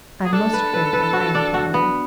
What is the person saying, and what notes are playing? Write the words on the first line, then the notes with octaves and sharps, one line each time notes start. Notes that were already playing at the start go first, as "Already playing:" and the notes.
"I'm most afraid it will rain, Polly."
G#4
D4 A4
B4
B4
B4
F#4
D4
F#4
B3